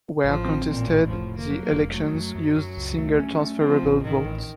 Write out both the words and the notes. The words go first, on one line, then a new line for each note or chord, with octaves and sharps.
Where contested, the elections used single transferable vote.
A1 F3
C4
A1 A#2
A2
F1 F3
F1
A#3
F#3
A#3
F1
F#3 A3
F#2
F#2
F#2
C#2
A3
C#4
A3
F3 C4
A1
A1 D#3
A1